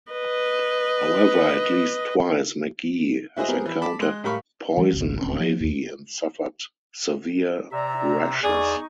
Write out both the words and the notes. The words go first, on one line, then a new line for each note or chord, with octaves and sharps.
However, at least twice McGee has encountered poison ivy and suffered severe rashes.
B4 D#5
E4 F#4 G#4 C5 D#5
G3 B3 C4 G#4 A#4
E3
A5 B5 D6
G#3 C6 F#6
A2 G3 A#4 F5 B5 C#6
E3 F3 G3
G#1 C#2
D#1 D2 C4 C#4
F3
D#2 G#2
C3 D5 E5 A#5
E2 D#4 G#4 D5 C#6